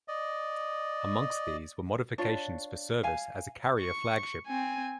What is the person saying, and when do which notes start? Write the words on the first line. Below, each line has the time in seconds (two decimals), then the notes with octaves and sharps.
Amongst these were modifications for service as a carrier flagship.
0.08 D5 D#5
2.18 D4 F4 C#5
3.03 F5 G#5
3.81 C#6
4.47 C4 G#5